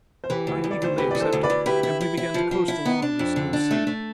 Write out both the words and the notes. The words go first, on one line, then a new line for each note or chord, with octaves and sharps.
I eagerly accepted, and we began to coast along this new sea.
C5
E3 G4 B4
D2
D2
D5
D2 C5
E3 G4 B4
D2 D5
A4 C5
D2
B4 D5
D2
E4 G4 B4
E4
E4
E4
F3
F3
E4
B3
D4
F2
D3
D4
A3
A3